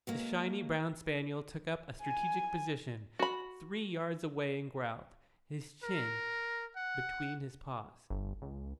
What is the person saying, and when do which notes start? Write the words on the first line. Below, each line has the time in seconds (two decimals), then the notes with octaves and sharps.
The shiny brown spaniel took up a strategic position three yards away and growled, his chin between his paws.
0.07 F#3 G#3 A#3
2.02 G#5
3.19 F#4 B5
5.84 A#4
6.76 F#5
8.10 G1
8.42 C#2